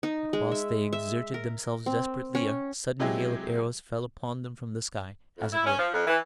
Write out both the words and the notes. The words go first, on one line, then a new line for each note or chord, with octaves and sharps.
But whilst they exerted themselves desperately a sudden hail of arrows fell upon them from the sky, as it were.
D#4
G#3
E5
E5
A#4
C4
C#4
C3 F#3 G#3 E4 G4 G#4
F2
E4
C#4
F3
F2
E3